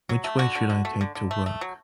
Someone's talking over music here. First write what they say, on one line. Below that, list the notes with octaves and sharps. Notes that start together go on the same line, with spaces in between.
Which way should I take to work?
F#3
A3
D3 F#4
D3
D3
A3
D3
D3
A3
A3
F#3